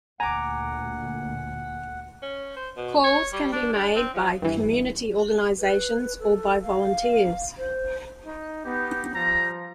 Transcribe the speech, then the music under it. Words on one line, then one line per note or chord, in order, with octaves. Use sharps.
Calls can be made by community organizations or by volunteers.
D2 A#2 F#5 G#5 A#5 D6
C#4
C5
B2
C#5
G3
D4
D4
C4
F3
G2 E3
B4
A4
F5
C5
D#4
B3 D#4 G4
F3 G3 A#5